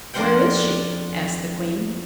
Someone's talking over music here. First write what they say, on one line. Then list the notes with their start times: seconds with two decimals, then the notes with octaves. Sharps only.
"Where is she?" asked the queen.
0.14 F2 D4 A#4 C5 F#5 G5